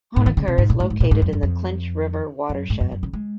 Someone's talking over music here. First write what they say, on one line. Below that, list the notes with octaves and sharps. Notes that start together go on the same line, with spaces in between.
Honaker is located in the Clinch River watershed.
G#2
D#3
C#3
C3
G#2
A#2
G#2
G#2
A#2
G#2
F#2
F#2
F2
F#2
G#2
F#2
F#2
C#3
G#3